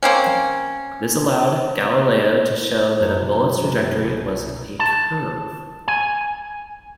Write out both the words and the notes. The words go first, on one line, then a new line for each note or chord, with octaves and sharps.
This allowed Galileo to show that a bullet's trajectory was a curve.
A#3 C4 C#4
E5
F#2
B2
G#3
A#3
C2
A5
G#5